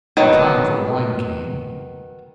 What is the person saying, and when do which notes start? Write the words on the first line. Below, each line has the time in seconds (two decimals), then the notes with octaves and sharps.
The time for wine came.
0.17 D#3 F#3 B3